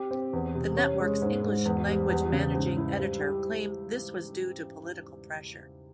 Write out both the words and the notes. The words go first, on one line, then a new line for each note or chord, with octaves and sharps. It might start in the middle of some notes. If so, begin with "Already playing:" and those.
The network's English-language managing editor claimed this was due to political pressure.
Already playing: C4 G4
C4
E2
C3
C#4
G#3
G#2
G#2
E2
G3
E2
C#3
G#2
E4
G3
G4